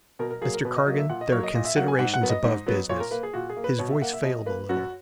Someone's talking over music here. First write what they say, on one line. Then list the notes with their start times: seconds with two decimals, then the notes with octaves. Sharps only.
Mr. Cargan, there are considerations above business.' His voice failed a little.
0.19 B2 A#4
0.31 A#4
0.41 F#3 A#3 G#4
0.54 A#4
0.65 B2 B4
0.76 D#5
0.86 F#3 A#3 D#5
0.98 E5
1.09 A#2 F#5
1.21 D#5
1.32 F#3 A#3 C#5
1.43 D#5
1.55 A#2 D#5
1.65 E5
1.76 F#3 A#3 F#5
1.88 G#5
1.99 G#2 F#5
2.14 F#5
2.21 F#3 B3
2.29 D#5
2.44 G#2
2.66 F#3 B3
2.89 A#2 C#5
3.00 A#4
3.11 A#3 B4
3.23 G#4
3.33 A#2 F#4
3.50 G#4
3.57 A#3
3.64 B4
3.79 B2 C#5
3.90 E5
4.01 A#3 F#5
4.13 E5
4.23 B2 D#5
4.46 A#3 B4
4.69 F#2 F#4